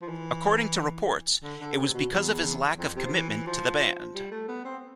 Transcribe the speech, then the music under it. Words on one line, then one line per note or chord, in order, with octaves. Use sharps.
According to reports, it was because of his lack of commitment to the band.
F3
E3
D3
D3
C3
B2
E2
F2
C3
F3
E3
E3
F3
G3
A3
B3
C4